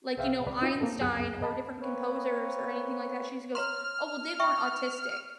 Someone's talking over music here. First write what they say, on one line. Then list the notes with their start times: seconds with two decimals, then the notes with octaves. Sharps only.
like, you know, Einstein or different composers or anything like that she goes, "Oh, well, they weren't autistic.
0.17 C2 G#4 C5 E5 F5 G5
0.46 C#2 B4 D5
0.62 C4 D#4 F4 F#4 B4
0.81 A#3 C4 A4
1.01 C#2 F#2 B3 G#4 F#5 F#6
1.42 D#5 A5 B5
1.82 A#3 C4 B4 C#5
3.55 C#5 A#5 C6 F6
4.40 E5 G5 C#6